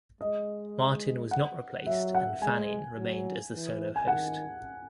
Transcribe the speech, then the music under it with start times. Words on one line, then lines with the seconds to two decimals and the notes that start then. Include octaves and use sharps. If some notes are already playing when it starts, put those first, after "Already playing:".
Martin was not replaced and Fanning remained as the solo host.
0.21 G#3 D#5
1.31 F#5
1.86 F#3 E5
2.15 F#5
2.41 G#3 G#5
2.97 F#3
3.53 E3
3.96 G#5
4.07 D#3 F#5